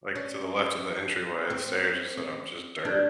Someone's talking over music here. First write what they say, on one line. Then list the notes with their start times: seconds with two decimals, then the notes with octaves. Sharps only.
like, to the left of the entryway, the stairs is, um, just dirt
0.15 C#4
1.50 C4
2.17 C#4
2.85 D4